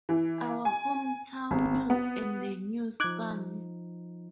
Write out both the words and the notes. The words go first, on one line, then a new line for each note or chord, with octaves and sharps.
Our Hometown News and the News-Sun.
E3
G#5
G#1
B3
F3 D#4 D6 F#6 G#6